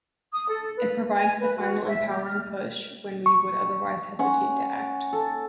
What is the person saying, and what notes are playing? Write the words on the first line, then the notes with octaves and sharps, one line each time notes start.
It provides the final empowering push when we would otherwise hesitate to act.
D#6
A4
B4
G#5
B4
F#4
E5
G4
F6
C#6
C#4 F#5
A4